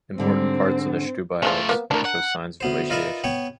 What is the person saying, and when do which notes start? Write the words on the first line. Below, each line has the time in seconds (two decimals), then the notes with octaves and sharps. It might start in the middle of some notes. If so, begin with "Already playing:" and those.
Important parts of the Stubai Alps show signs of glaciation.
0.18 G#2 D3 G3 C4
1.43 F3 G#3 A3 C#4 F4
1.69 A#3 B3
1.91 D2 A2 D4 A#4
2.05 F#5
2.61 D2 B3 C5
2.90 D#4 F4 A#4 B4 D5 E5
3.24 B3 C#5 G5